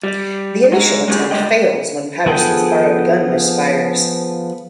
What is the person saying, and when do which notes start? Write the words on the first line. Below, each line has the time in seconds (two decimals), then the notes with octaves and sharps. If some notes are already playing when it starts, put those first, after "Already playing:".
The initial attempt fails when Patterson's borrowed gun misfires.
0.03 G3
0.72 G#3 D#4
1.08 G#3 B3 C#4 G4 G#4
1.31 C#2 G3 G#3 D#5 G5
2.26 F3 B3 G#4 A4 G5